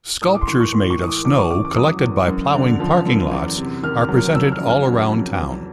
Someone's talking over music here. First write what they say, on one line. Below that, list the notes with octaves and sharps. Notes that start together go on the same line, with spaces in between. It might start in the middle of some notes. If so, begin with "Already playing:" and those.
Sculptures made of snow collected by ploughing parking lots are presented all around town.
A2 D#6
D6
C6
E3 C#6
C#6
A2 C6
C#6
E3 D#6
D6
E2 D6
C#6
C#3 D6
D6
F#3 D#6
E2
F#2
D3
F3
F#2
E2
C3
D#3 F6
F6
F#3
F6
F2 E6
F6
C#3
F6
F#3
F2
E2